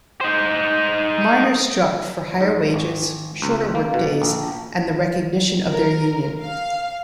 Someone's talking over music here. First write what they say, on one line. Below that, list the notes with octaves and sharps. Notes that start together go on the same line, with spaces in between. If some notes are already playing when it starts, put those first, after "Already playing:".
Miners struck for higher wages, shorter workdays and the recognition of their union.
D#4 C5
G#2
G#1
C#2
A#3
B2
A#1
A#4
F5